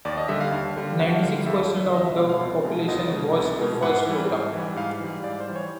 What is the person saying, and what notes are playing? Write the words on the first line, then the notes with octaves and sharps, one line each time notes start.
Ninety-six percent of the population watched the first program.
D#2 D5
D#5
D3 G3 E5
F5
D#2 F5
D3 G3
D#2 F#5
D3 G3 F5
D#2 E5
D3 G3
C2 D#5
E5
B2 G#3 F5
F5
C2
B2 G#3
C2 D#5
B2 G#3
C2
B2 G#3
G#2 F#5
E3 G3
G#2
E3 G3
G#2 F5
E3 G3
G#2 D5
C5
E3 G3
C#5